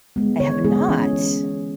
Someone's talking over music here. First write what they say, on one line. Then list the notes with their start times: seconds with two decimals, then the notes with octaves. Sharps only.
I have not.
0.16 G#3 B3
0.40 D3 C#5
0.64 G#3 B3 G#4
0.89 E3 C#4
1.13 B3